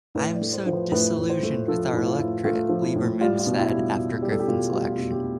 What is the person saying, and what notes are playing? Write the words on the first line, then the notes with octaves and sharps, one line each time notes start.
"I am so disillusioned with our electorate," Lieberman said after Griffin's election.
A2 B4
D5
A3
C5
F3 C5
B4
A2 B4
A2
C5
A3
F3 A4
A2 E4
F4
A2
A3 F4
F3
E4
A2
G3 F4
F4
B2
E4
G3
F4
B2
G3 G4
A4
G4
B2 F4
G3 F4
F4
B2
G4